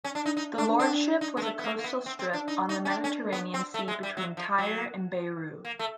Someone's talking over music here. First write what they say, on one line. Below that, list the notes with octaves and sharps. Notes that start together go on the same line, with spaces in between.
The lordship was a coastal strip on the Mediterranean Sea between Tyre and Beirut.
C#4
D4
D#4
D#4
D4
D4
D#4
G#3
A3
B3
A#3
A#3
B3
C4
C4
D4
D#4
D#4
C#4
D4
C#4
B3
C4
A3
G#3
G3
F#3
F3
F#3
A#3
A3